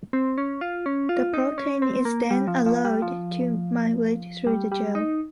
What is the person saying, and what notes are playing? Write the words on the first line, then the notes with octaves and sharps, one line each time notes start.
The protein is then allowed to migrate through the gel.
C4
C#4
F4
C#4
F4
D#4
C#4
C4
A#3
G3
F3
F3
G3
F3
G3
G3
D#4